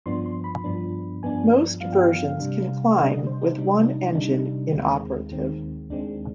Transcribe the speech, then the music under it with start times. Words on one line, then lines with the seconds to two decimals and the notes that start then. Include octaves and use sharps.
Most versions can climb with one engine inoperative.
0.06 G2 F3 B3 D4 C6
0.26 C6
0.44 B5
0.64 G2 F3 B3 D4
1.23 G2 F3 B3 D4 G#5
1.81 G2 F3 B3 D4 F5
1.93 G5
2.04 F5
2.39 C3 G3 D4
2.97 C3 G3 D4 D#5
3.27 C5
3.42 D#4
3.57 C3 G3 D4
3.86 D#4
4.14 C3 G3 D4 D#4
4.73 D#2 D#3 G#3 C4
5.31 D#2 D#3 G#3 C4
5.90 D#2 D#3 G#3 C4 D4